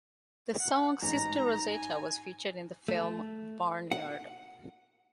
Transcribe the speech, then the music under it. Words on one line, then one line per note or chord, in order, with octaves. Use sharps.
The song "Sister Rosetta" was featured in the film "Barnyard".
F#5
A1 G#2 A#5
G#5
A3
F#5